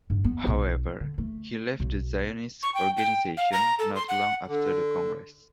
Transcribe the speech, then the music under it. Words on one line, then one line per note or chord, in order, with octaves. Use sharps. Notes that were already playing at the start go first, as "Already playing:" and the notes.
However, he left the Zionist Organization not long after the Congress.
G2
B3
B1
D3
A3
B1
C#6
G5
G5
F5
A#5
A4
C6
F#5
D3